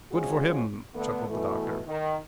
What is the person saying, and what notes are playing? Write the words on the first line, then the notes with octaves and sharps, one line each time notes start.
"Good for him," chuckled the Doctor.
F3 G#3 C#4 F4 F#4 G#4
D3 A3 B3
B2 E3 A3
D#3